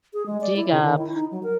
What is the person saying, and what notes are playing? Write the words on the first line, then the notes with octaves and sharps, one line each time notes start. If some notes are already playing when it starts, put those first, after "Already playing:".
dig up
G#4
G#3
D5
E4
C#3
D#3
E4
D#4
F#3
A#4